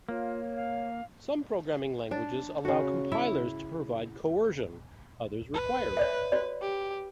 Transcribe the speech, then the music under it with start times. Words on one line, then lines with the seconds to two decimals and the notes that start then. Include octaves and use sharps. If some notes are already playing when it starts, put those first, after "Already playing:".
Some programming languages allow compilers to provide coercion; others require it.
0.09 A#3 F4 C#5
0.55 F5
2.11 D4
2.65 C#3 F#4
3.12 E4 E5
5.54 B4
5.97 C#5 D5 E5
6.32 F#4 C#5 D5
6.62 G4